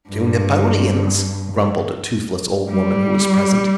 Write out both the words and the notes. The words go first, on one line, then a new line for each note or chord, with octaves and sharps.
"Two napoleons!" grumbled a toothless old woman who was present.
G2
G3